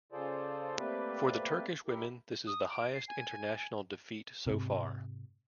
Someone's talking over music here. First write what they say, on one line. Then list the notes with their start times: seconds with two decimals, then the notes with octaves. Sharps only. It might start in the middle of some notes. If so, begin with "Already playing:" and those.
For the Turkish women this is the highest international defeat so far.
0.12 C#3 F4 G#4 A4 C5 D5
0.77 A3 A#3 C4 G4 B4 D5
1.87 E4 G4 A#4
2.47 D#6
2.70 D7
2.93 C7
3.08 G#5
4.46 G#2 C3